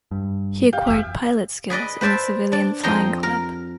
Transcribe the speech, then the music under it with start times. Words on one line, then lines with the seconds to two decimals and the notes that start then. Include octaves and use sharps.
He acquired pilot skills in a civilian flying club.
0.11 G2
0.73 G4 F5 G5
0.87 F#1 E2 G4 E5
1.70 G#4 B4 D5 D#5
2.01 B4 C5 D5 E5 A5
2.52 D4 D5
2.83 F2 D#5 G5 A#5 C6
3.23 A#4